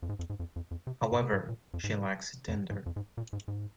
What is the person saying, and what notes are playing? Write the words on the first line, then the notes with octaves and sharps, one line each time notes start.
However, she lacks a tender.
F2
G#2
F2
G#2
F2
F2
F2
C3
A#2
G#2
C3
G#2
A#2
F2
G#2
F2
G#2
G#2
F2
G#2
A#2
G#2
G#2